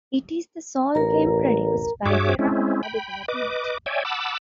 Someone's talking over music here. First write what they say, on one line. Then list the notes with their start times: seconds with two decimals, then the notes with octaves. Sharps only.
It is the sole game produced by Terra Nova Development.
0.95 A1 A#4 A#5
2.06 G2 F#4 G#4 C#5 E5 D6
2.39 G#3 C4 C#4 E4
2.83 G5 B5
3.28 B4 D#5 D6
3.86 C#5 D5 E5 G5 G#5
4.05 F#5 A5 B5 D6 E6